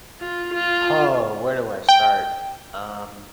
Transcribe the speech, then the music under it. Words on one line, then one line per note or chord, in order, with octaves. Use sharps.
Oh, where do I start? Um,
F4
F4
G5